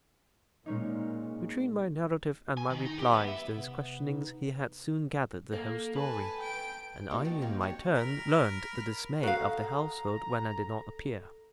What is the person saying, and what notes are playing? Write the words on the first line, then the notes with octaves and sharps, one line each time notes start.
Between my narrative and my replies to his questionings he had soon gathered the whole story, and I in my turn learned the dismay of the household when I did not appear.
A#2 G#3 C#4 D#4
G#5
D#3
D#4
G4
B3
E5
C3 B3
D#4
A#3 A4
B4 G#5 A5
G5 D7
G#3 A#3 B3 D#4 F#4 G4
D#3 F#3 G3 A3
A#3 C4 C#4 D#4 G4
D4 F#4 G4 C#5
A#4 B5
F#4 A4 F5 A#5